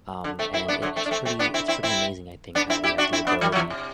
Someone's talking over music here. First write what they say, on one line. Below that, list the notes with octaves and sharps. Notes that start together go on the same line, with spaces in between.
um, and it it's pretty it's pretty amazing, I think, how we have the ability
D3
A3 C4
C4 E4
B3 D4
D3 F#3
A3 C4
D4
A3 C4
A3 C4
B3 D4
C4 E4
C4 E4
C4 E4
B3 D4
C4 E4
E4 G4
D4 F#4
C4 E4
B3 D4
E3 G3
F#3
C3 E3
C3